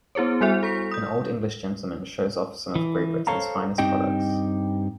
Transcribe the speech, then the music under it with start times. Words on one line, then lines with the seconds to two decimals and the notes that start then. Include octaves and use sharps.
An old english gentleman shows off some of Great Britain 's finest products.
0.15 B3 E4 G#4 C5 C#5
0.41 G3 E4 F#4 C5 E5
0.63 A4 C#6 B6
0.91 D#6 G6
2.75 E3
3.27 A4 C5 C#5 F5 A5 A#5
3.78 G2 C4 D#4 G4 D#5 G5